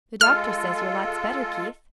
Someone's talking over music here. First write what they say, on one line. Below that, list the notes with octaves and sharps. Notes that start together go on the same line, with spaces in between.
"The doctor says you're lots better, Keith."
G#3 F4 A4 F6